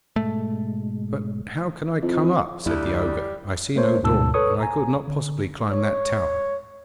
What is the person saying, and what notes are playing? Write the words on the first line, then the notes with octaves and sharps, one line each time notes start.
'But how can I come up?' said the ogre, 'I see no door, and I could not possibly climb that tower.'
G#2 B2 G#3 A3
F2 E4 F4 D#5
D2 G3 E4
A3 A#4 C5 C#5
D2 G#2 B2 A5 E6
A4 B4 C#5 C#6 D#6
G#5 A#5
D3
C#5